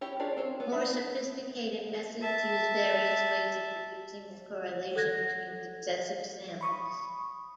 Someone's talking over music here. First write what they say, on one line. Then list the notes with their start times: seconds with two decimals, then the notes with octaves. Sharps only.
More sophisticated methods use various ways of reducing the correlation between successive samples.
0.01 E4 G4 C#5
0.19 D4 F4 G#4 C#5 D5
0.37 C4 C5 C#5
0.60 B3
0.72 D4 D#4 B4 E5
2.21 E5 A5
4.96 A4 F#5 F#6 G#6 A#6
6.61 B5 C#6 D#6